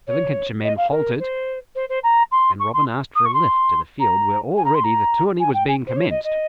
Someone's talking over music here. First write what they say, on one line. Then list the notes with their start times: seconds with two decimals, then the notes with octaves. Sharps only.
The Lincolnshire men halted, and Robin asked for a lift to the field where already the tourney was being commenced.
0.07 C#5
0.63 D#5
0.77 F5
0.91 A#4
1.19 C5
1.75 C5
1.89 C5
2.03 A#5
2.31 C6
2.59 C#6
2.73 C6
3.15 D#6
3.25 C#6
3.34 C6
4.00 A#5
4.56 G#5
4.65 A#5
4.74 C6
4.84 A#5
5.40 G#5
5.54 G5
5.68 G#5
5.87 C5
5.96 C#5
6.10 D#5
6.24 D#5